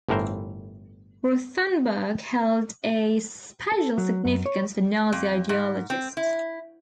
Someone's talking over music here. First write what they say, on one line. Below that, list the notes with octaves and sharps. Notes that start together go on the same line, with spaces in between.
Rothenburg held a special significance for Nazi ideologists.
G1 A2 E3 A#4 C5
A4
F#3
F#2
C#5
F2
G#2
C4
E4